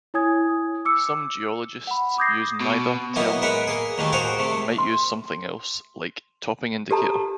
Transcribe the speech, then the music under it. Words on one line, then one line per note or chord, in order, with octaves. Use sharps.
Some geologists use neither term, and might use something else, like topping indicator.
E4 C#5 G#5 D#6 G#6
D6 E6 C#7
F#5 B5
D6 D#6 G6 G#6 A#6 C7
B2
E3 F#3 A#3 B3 D#4 E4
G#3 A#4 B4 E5 F#5
A#3 G#4
D#2 D#3 E3 A3 D4
F#4 G#4 A#4 C5 F5
C3 A3
C6
G4 A4 A5 A#5